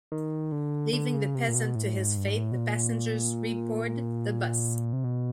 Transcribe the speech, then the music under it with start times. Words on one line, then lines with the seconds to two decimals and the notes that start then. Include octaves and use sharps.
Leaving the peasant to his fate, the passengers reboard the bus.
0.12 D#3
0.52 D3
0.93 D3
1.14 C#3
1.35 C3
1.48 A#2
1.55 B2
1.75 A2
1.96 G#2
2.17 G2
2.26 G#2
2.38 A2
2.51 B2
2.57 A#2
4.93 C3
5.04 B2